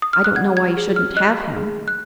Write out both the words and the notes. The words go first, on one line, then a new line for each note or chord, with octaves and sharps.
I don't know why you shouldn't have him.
D#6
F6
F#6
F#5 G#6
G#6
G#4
F6
D#5 F#6
G#4
F#6